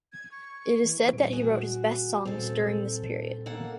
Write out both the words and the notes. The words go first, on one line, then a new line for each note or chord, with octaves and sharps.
It is said that he wrote his best songs during this period.
G#6
C#6
E3
D#1 D7
F#4 G#4
D#1 C4 A4
A#3 A4 F#5